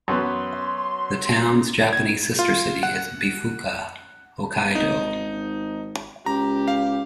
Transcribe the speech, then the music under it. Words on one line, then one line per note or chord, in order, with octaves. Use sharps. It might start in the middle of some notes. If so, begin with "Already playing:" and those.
The town's Japanese sister city is Bifuka, Hokkaido.
F#2 B3 C6
G#6
F4
F#5
G#1 D#4
C#2 G4 A#5
F5